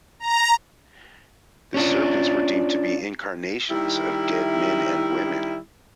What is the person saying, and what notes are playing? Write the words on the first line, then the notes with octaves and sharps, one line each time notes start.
The serpents were deemed to be incarnations of dead men and women.
A#5
C#4 D4 F4
D#3 G3 E4